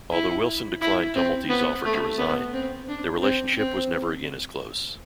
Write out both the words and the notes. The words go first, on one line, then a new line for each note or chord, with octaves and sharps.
Although Wilson declined Tumulty's offer to resign, their relationship was never again as close.
E4
E4
C4
B3
A3
B3
C4
D4
C4
C4